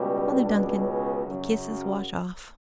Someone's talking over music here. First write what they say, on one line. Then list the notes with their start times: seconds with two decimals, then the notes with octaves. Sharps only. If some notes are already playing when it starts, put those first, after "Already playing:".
"Mother Duncan, do kisses wash off?"
Already playing: C#2 B2 G3 G#3
0.43 C#2 B2 G#3 D4
0.84 C#4
1.24 F#2 C#3 F#3